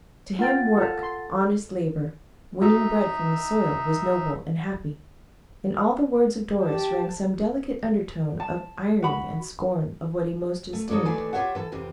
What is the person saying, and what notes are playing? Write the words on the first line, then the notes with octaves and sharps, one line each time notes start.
To him work, honest labor--winning bread from the soil, was noble and happy; in all the words of Doris rang some delicate undertone of irony and scorn, of what he most esteemed.
F4 A#4 F#5 G5 A6
F4 A4 A#4 A5
C6
D#4 F#4 E5
G4 A5
A5
F#4 B5
A3
F3 D#4 A4 C#5 D5
D#2 E3 A3 B4 D5 G#5
F4 G4 A#4 C#5 E5 F#5
E3 A4
F2 C3 E3 G4